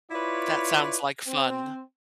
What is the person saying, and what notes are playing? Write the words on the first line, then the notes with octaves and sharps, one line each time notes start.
That sounds like fun.
E4 F4 B4 C#5 D5
C4